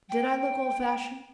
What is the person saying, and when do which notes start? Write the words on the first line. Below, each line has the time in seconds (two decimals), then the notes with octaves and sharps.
Did I look old fashioned?
0.10 G5